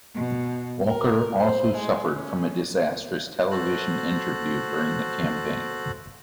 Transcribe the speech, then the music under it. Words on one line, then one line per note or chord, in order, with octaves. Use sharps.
Walker also suffered from a disastrous television interview during the campaign.
B2
A#4
C5
G#3
C#4
F#4 A4 C5 F#6